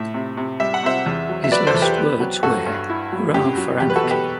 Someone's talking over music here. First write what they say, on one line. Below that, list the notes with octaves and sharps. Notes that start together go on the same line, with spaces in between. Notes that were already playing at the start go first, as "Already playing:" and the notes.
His last words were, Hurrah for Anarchy!
Already playing: A2 E5
C3
C3
G3 E5
F#5
C3 C5 E5
E2
F#3
E5
F#3 B4 D5
A4 C5
E2
G4 B4
B3
F#3
G2 F#4 A4
G2
E4
F#3
F#2 G4
F#3
E2 G4
B4
F#4 A4
B2
G4 B4